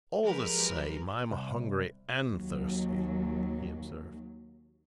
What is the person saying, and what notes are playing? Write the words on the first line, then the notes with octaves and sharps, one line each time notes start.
"All the same, I'm hungry and thirsty," he observed.
F3 F#3 G#3 G4 A#4 B4
C2
D#2 F#3